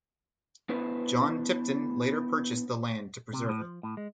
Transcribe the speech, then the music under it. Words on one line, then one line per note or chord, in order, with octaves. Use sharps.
John Tipton later purchased the land to preserve it.
B3 D4 E4 B4 C5
C3
A2
F3
A2
G#3